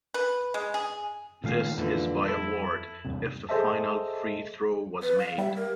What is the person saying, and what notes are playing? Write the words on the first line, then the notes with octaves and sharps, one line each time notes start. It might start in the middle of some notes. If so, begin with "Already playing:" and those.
This is by award, if the final free throw was made.
B4
G#3
G#4
C#2 A#2 D#3 A3 F5
F2 A#2 D3 E3
E4 A4
E2 G2 C3
G#4 A4 C5 D#5 E5 A5
B4
F5
G3 E5
A#4